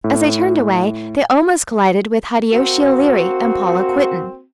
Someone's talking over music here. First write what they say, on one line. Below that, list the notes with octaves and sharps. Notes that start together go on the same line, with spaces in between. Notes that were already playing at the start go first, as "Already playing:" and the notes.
As they turned away, they almost collided with Hideyoshi O'Leary and Paula Quinton.
A2
A#3 C4 F#4